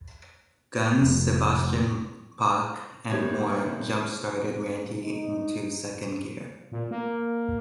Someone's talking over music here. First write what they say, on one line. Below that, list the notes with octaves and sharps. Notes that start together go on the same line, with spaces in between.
Guns, Sebastian Bach, and more, jump started Randy into second gear.
F1
G1 A#2 D#3 G3 C#5 G#6
D#4
A#2
A#3